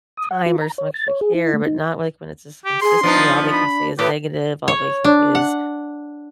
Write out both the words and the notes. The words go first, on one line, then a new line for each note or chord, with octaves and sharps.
time or some extra care, but not, like, when it's just consistently all they can say is negative, all they can say is
D#6
F#5
F4
A#5
C#5
A6
C#5
G#4
E4
A3
D#4
G4
G#4 C6
F3 B3 D4 D#4
B5
A2 G4 B4
C#5
D4
F#5